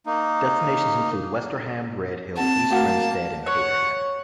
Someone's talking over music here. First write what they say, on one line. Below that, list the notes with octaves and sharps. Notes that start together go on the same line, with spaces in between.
Destinations include: Westerham, Redhill, East Grinstead and Caterham.
A#3 D#4
C4 F#5 A5
A3 A#3 F#4 F#5
C#5 F#5